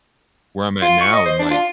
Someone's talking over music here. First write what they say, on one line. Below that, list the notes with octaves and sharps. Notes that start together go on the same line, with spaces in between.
where I'm at now and, like,
F4
C#6
D#5
C5
D4
F4